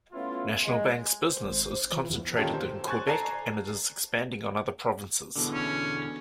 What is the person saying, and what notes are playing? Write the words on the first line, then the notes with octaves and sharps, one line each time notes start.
National Bank's business is concentrated in Quebec, and it is expanding on other provinces.
A3 B3 C#4 E4 F4
G#3
C5
G#1
E3 F4
E2
A#2 D#3 A#3 C#4 G4 A4
C5
C5 G#5 C#6 F#6 A6
A4 D5 G#5 A#5 C7
E2 B2 D3
C#4